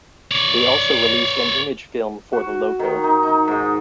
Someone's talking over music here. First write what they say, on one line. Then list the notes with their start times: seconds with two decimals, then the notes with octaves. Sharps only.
They also released an image film for the logo.
0.31 C#5 D5
2.33 F#4
2.79 D#3
3.04 D#4
3.23 D#4
3.48 G#2